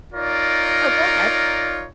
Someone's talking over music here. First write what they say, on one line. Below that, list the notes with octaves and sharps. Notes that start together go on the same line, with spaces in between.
Oh, go ahead.
D#4 F4 A#4 C#5 D5